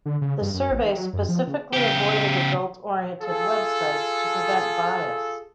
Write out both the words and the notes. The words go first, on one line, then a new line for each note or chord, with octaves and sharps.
The survey specifically avoided adult-oriented websites to prevent bias.
D3
C#3
G2
F#2
A1
D#3
F#3
F#2
F3
C#3
C#3 G4
F4 G#4 A4